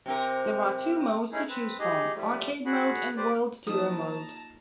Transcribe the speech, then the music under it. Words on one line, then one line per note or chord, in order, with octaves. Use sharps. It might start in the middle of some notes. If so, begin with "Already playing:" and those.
There are two modes to choose from: Arcade Mode and World Tour mode.
C3 C4 A#4
A3 C#4 D#4 E4 G#4
C4 B4
D#4 G4 G#4 D#5
F3 G3 A3
F#4 G#4 F#5 B5
G4 B4 C5 D5
F3 A#3 D#4 F4 A5 A#5 D#6